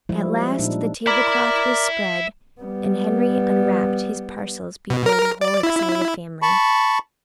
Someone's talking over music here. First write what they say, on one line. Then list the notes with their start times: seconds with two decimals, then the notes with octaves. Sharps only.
At last the tablecloth was spread and Henry unwrapped his parcels before the whole excited family.
0.09 F3 G3 G#3 E4
0.58 A#2 D4 D#4
1.07 A#4 D5 E5 B5
2.61 G3 B3
4.90 B2
5.06 A#4
5.41 D5
5.63 E4
6.42 A5 B5 C#6